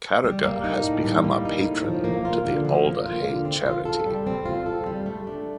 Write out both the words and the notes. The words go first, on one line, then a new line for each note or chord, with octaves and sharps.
Carragher has become a patron to the Alder Hey Charity.
G3
A#3
D#4
A2
G3
A#3
D#4
A2
F3
A#3
F4
D3
F3
A#3
F4
D3
C4
F4
A4
G3
C4
F4
A4
G3
A3
D4